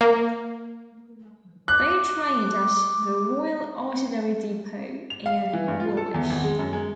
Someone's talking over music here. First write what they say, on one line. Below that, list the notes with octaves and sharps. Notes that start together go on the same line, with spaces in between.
They trained at the Royal Artillery Depot in Woolwich.
A#3
D6 F#6
F7
F5
E3
G2
F4
A4
E2
G#1
G#3
F#2
G#3